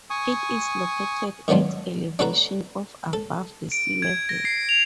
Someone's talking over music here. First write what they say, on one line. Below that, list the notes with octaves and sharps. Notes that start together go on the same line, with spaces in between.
It is located at elevation of above the sea level.
G#5 C#6 D#6
D#3 F#3 B3 D4 F4
D4 F#4 A4 B4 A#5
A4
D7
G#6
A#6
C7
F7